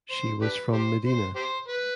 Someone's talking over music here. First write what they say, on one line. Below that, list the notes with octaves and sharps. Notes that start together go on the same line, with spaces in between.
She was from Medina.
C5
D4 G4 B4
G4 C5
C5
G4 C5
B4